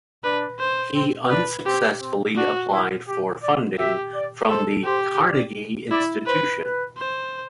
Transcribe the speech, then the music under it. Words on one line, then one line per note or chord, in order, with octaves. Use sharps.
He unsuccessfully applied for funding from the Carnegie Institution.
D4 B4
C5
C4
D4 B4
C4 G4
C4
D4 F#4
E4
G4
D5
G4 E5
D5
A4 C5
G4 C5
D5
E4 D5
B4 C5
B4
C5